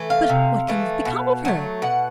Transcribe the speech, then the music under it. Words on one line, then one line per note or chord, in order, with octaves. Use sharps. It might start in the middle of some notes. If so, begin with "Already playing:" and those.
"But what can have become of her?"
Already playing: E3 A3
F5
C3
E3 A3
B2
F#3 A3
B2 F#5